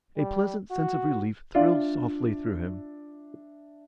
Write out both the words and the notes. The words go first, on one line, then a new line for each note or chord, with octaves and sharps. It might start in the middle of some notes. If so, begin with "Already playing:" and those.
A pleasant sense of relief thrilled softly through him.
G3
F#4
D4 F4 D5 E5